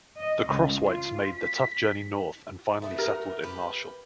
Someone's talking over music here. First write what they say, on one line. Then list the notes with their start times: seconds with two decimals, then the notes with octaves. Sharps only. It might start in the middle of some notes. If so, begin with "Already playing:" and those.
The Crosswhites made the tough journey north and finally settled in Marshall.
0.20 D#5
0.49 C#2
0.87 F4
1.34 B6
2.82 A3 B3 E4
2.98 A#4
3.42 G4 B4